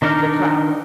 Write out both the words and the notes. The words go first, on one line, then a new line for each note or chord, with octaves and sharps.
the clouds
D#3 D4 D#4 A#4 F6